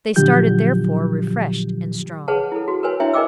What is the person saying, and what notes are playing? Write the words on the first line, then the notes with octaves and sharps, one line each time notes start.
They started, therefore, refreshed and strong.
A#2 D3 F3 F#3 G4 G6
G#4 B4 C#5 F#5 A5
E4 A4
F#4
A#4 B4 C#5 G#5
D4 E4 C#5 E5 G5 G#5
A#4 B4 D#5 G5 D6 E6